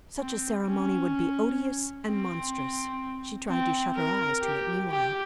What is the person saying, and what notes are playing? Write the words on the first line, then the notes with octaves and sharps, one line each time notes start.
Such a ceremony would be odious and monstrous; she tried to shut her eyes to it meanwhile.
C4
C#4
C4
C4
A#4
G4
G4